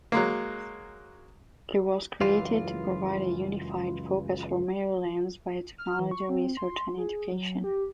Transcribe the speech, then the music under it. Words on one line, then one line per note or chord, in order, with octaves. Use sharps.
It was created to provide a unified focus for Maryland's biotechnology research and education.
F#3 G#3 A#3
C#2 F#2 E3 F4
F6
E3
C#6
C4
C6
G#4
F#3
G4